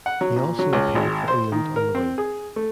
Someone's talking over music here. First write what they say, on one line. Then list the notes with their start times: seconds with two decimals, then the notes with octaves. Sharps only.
He also appeared for England on the wing.
0.06 F#5
0.21 F#3
0.36 A#2
0.59 F#3
0.73 C#2
0.95 G#1
1.28 C5
1.52 D#3
1.76 A#4
1.95 C4
2.18 G#4
2.56 A3